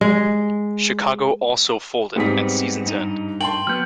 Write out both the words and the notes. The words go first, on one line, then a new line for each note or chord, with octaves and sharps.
Chicago also folded at season's end.
G#3
G#2 G3 B3 C4 G#4 B6
G2 D#4
G5 A5 C6 F#7
F#3 B3 F6 G6